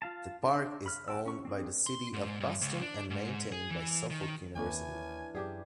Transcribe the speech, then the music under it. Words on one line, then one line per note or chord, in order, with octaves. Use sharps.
The park is owned by the City of Boston and maintained by Suffolk University.
F4 F5 A5
D4
B5 F6
F#4 G5 A5 E6
C#4 C#6
C4 D4 G#4
C6
G#2
G2
C#2
D4
G#2
G#4
E3
D#3
D#2 E3 A#3 C#4 D4 C#5 G#5
F#2 D4 G4 G#4 D5